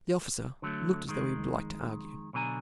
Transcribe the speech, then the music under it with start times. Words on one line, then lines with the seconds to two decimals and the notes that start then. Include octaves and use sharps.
The officer looked as though he would like to argue.
0.62 D3 F#3 G3 A3
1.07 F2 D#3 G#3
2.33 B1 B2 D3 G#5 A#5